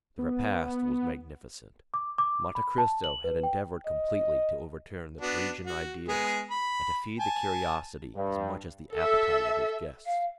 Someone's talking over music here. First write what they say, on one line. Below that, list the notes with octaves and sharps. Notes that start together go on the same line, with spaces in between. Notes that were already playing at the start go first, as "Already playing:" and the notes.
The repast was magnificent; Monte Cristo had endeavored completely to overturn the Parisian ideas, and to feed the curiosity as much as the appetite of his guests.
B3
D6
D6
B5
A5
F#7
B4
G5
D#5
B3 D4 F#4
F#4
G#3 B3 G#4
B5
G#5 A5
G2
A4 E5
F5